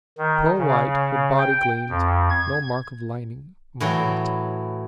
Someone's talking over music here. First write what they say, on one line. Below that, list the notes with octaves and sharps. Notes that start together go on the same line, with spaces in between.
Pearl white her body gleamed; no mark of lightning marred it.
D#3
C#3
G5
F2
G#6
A2 E3 F#3